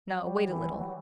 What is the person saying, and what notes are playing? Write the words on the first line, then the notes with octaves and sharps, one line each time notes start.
No, wait a little.
F#3
G3
E3
G3
F#3